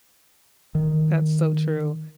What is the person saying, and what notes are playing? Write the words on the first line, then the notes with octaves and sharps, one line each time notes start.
That's so true.
D#3